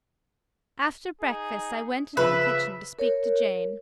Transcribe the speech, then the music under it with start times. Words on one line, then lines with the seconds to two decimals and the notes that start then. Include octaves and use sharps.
After breakfast, I went into the kitchen to speak to Jane.
1.21 D#4 G#4
2.17 C#3 F3 B4 E5 B5
2.99 A#4 C#5